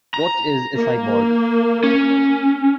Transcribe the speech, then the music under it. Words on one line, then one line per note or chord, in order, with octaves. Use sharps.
What is a cyborg?
A#5
A#3
C#4